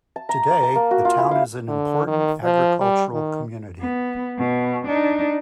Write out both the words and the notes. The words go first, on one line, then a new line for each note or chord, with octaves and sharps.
Today, the town is an important agricultural community.
A5
A#5
D6
A5
A#3
F#4
F4
E4
F5
D3
D#3
F3
G3
D#3
B3
B2
D4 D#4